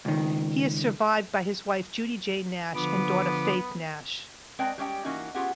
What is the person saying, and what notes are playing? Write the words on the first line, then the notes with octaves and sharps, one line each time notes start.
He is survived by his wife, Judy Jae' Nash and daughter Phaith Nash.
C#2 D#3
D3 F3 B3 D6
G#3 C4 B4 D5 G5
G3 G#3 C#4 G4 F5 G5
E3 A#3 C#4 D#4 F#4
B3 C#4 F4 G4 G#4 F#5